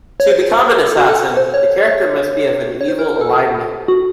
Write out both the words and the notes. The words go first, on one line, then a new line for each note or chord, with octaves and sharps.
To become an assassin, the character must be of an evil alignment.
C#5
C5
C5
A4
F#4
A4
C5
C#5
C#5
C#5
C5
A#4
A#4
A4
F#4